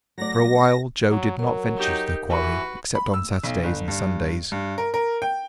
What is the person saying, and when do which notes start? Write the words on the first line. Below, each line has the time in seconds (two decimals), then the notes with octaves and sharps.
For a while Joe did not venture to the quarry except on Saturdays and Sundays.
0.18 F#3 A3 D5 A#6
1.09 F#3
1.39 F#3 A#4
1.76 D#4 G4
2.29 E3 F#4 B4
2.95 B5
3.14 E6
3.44 B1
3.64 G1
3.88 G2
4.52 G2
4.78 A#4
4.94 A#4
5.22 G5